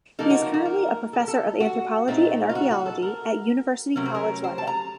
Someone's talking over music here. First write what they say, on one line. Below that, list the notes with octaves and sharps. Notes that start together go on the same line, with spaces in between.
He is currently a Professor of Anthropology and Archaeology at University College London.
F3 A#3 D#4 A4
F#4
F#4
F#4
A#4
A4
A#4
A4
F#4
A#2 A3 C4 D#4
F4
F#4
F#4
A4
A#4
C3 F#3 A3 C#4 A#4
C5
A#4
C5
A5
A#5